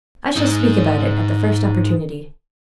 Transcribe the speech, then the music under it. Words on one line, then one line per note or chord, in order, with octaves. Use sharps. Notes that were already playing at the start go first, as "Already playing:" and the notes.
I shall speak about it at the first opportunity.
G#2 D#4